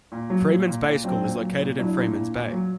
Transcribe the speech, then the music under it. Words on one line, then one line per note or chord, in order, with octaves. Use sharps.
Freemans Bay School is located in Freemans Bay.
A#2
F#3
A#2
A#2
A#2
F#3 C4 D4
A#2
F#3
A#2
F#3 D4 E4
A#2
A#2
A#2
F#3